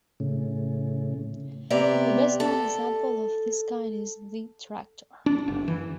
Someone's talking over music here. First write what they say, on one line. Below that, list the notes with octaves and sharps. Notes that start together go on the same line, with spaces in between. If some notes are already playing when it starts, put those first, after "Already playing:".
The best-known example of this kind is the tractor.
A2 C#3
C3 B3 D5 A#5
A4
D4
F#1
E3